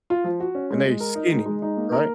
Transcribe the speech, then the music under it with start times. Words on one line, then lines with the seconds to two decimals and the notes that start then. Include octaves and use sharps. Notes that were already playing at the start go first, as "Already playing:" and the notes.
and they skinny, right?
0.10 F4
0.24 F3
0.40 F#4
0.55 C#4
0.71 G#3
0.86 G#3
1.00 A#4
1.15 D#4
1.31 G#3
1.46 G#3
1.62 D#4
1.77 A#3
1.92 A#4